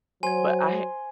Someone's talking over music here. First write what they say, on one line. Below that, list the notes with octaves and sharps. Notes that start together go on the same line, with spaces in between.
but I ha
F#3 C5 G#5 G#6